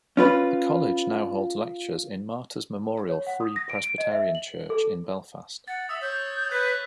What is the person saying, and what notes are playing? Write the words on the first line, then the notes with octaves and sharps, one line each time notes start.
The college now holds lectures in Martyrs Memorial Free Presbyterian Church in Belfast.
C#4 F4 B4
C#5
F#5
D#6
A#6
D7
D7
D#5
E5
F#7
A4
F#5 A6
E5 D#6 E6
C#5 G6
B4 F#6 G6 B6